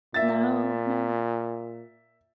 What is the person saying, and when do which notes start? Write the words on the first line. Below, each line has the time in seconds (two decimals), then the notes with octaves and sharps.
No. No.
0.14 A#2 E5 A6